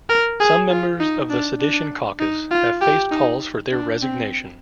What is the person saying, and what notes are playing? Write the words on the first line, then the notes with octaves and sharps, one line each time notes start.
Some members of the Sedition Caucus have faced calls for their resignation.
A#4
G#4
F4
D#4
D4
D4
D#4
F4
G4
D#4
D4
C4